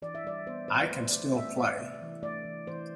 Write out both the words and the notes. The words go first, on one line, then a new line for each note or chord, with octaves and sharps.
I can still play.
E3 D5
E5
G3 D5
B3 C5
E3 C5
B4
A3 C5
D5
A3 C5
A3 E5
A3 D5
C3
E3
A3 D5
E3
E3 C5